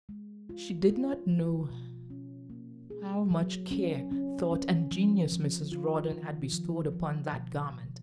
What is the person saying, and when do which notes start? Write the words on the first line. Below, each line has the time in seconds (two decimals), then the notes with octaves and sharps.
She did not know how much care, thought, and genius Mrs. Rawdon had bestowed upon that garment.
0.09 G#3
0.49 F4
0.90 F4
1.30 F3
1.70 B2
2.10 C#4
2.50 A#3
2.90 G#4
3.31 F#3
3.71 C#4
4.12 C#4
4.52 C#4
4.91 F3
5.32 F3
5.72 F4
6.12 D#3
6.52 F3
6.92 F3
7.33 B2
7.73 B2